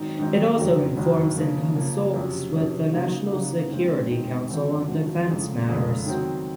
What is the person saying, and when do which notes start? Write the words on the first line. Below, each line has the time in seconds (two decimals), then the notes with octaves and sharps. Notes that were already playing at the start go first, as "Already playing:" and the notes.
It also informs and consults with the National Security Council on defense matters.
Already playing: G#2 D#3 F#3 C4 D#4
0.18 G#2 D#3 F#3 C4 D#4
0.58 F#1 F2 D#3 F#3
0.97 F#1 F2 D#3 F#3
1.37 C#3 F3 A#3
1.75 C#3 F3 A#3
2.14 F2 C3 F#3 C#4
2.54 F2 C3 F#3 C#4
2.93 C#3 F#3 A#3 D#4 F#4
3.31 C#3 F#3 A#3 D#4 F#4
3.71 D#2 D#3 G#3 C4
4.10 D#2 D#3 G#3 C4
4.49 G#1 F#2 F3 C4 F#4
4.88 G#1 F#2 F3 C4 F#4
5.28 F1 F2 C#3 G#3
5.67 F1 F2 C#3 G#3
6.06 D#3 F#3 C4 F#4